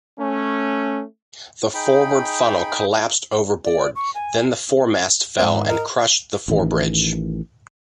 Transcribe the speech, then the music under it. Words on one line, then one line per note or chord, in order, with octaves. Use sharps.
The forward funnel collapsed overboard, then the foremast fell and crushed the fore-bridge.
A3 C#4
D#4 G#4 G5 B5
D5
C#6
G#5
G#2 C4 D5
D#3
A#4 D#5
A1 D#3 E3